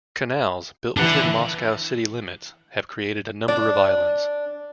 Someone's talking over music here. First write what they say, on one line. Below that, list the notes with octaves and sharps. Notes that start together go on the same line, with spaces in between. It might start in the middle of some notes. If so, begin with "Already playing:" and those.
Canals, built within Moscow city limits, have created a number of islands.
E3 D4 F#5
D4 D5